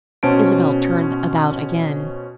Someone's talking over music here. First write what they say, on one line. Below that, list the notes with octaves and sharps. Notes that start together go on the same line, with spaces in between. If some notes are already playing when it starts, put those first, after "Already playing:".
Isabel turned about again.
B2 C#4 C5 A5 D7